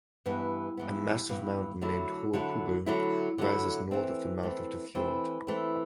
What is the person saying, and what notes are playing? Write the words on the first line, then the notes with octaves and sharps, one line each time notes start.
A massive mountain named Hohe Kugel rises north of the mouth of the fjord.
G2 E3 B3
G2 E3 B3
G2 E3 B3
D3 F#3 A3 E4
D3 F#3 A3 E4
D3 F#3 A3 E4
D3 F#3 A3 E4
E3 A3 C4
E3 A3 C4
E3 A3 C4
E3 A3 C4